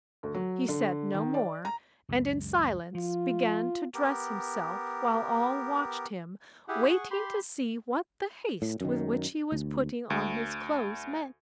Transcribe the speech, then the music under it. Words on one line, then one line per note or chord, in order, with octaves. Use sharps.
He said no more, and in silence began to dress himself, while all watched him, waiting to see what the haste with which he was putting on his clothes meant.
D2
F#3
D3
D#3
D5
A#5
C#2 F#2 G#3
F3 F4
B3 G4 A#4
E4 G4 G#4 F#5
G#4 F#5 C#6
G4 B5 C6
A2
F#2 D#3
D2
D2